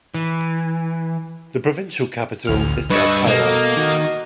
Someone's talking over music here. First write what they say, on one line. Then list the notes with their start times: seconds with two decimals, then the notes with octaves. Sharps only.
The provincial capital is Galkayo.
0.14 E3
2.47 A1 D2 F6
2.90 G2 B4 D#5 C#6 E6
3.27 B2 A#3 A4 D#5
3.77 D#3 F#4 D#5